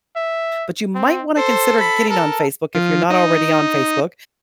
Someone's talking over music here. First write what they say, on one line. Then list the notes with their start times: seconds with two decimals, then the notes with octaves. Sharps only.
but you might want to consider getting on Facebook if you're not already on Facebook,
0.16 E5
0.95 C4
1.37 A4 C5
1.79 B5
2.10 A4 A#4
2.75 F3
3.10 D#4